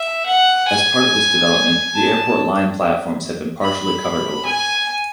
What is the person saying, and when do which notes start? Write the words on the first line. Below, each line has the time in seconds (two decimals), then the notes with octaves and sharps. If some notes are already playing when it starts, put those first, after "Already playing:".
As part of this development, the Airport line platforms have been partially covered over.
Already playing: E5
0.26 F#5
0.68 G#5
1.94 A5
3.62 B5
4.46 G#5